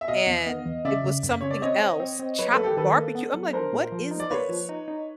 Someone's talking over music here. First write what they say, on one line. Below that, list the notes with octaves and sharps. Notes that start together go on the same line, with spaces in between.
and it was something else, chopped barbecue, I'm like, "What is this?"
E5
B2 D#5 F5
E2
B3
E2
C#3 D5 E5
C#3
F#2
C#3 C#5
D5
C4 C#5 D#5
C4
C4
C4
F#3 B4 C#5
A4 B4
A#3
G4 A4
D#3 A4 B4
A#3
B3
F#3
D4 A#4 C5
A#2
F3
D#4
D5
A#3 B4 C#5
F3
D#4
D#4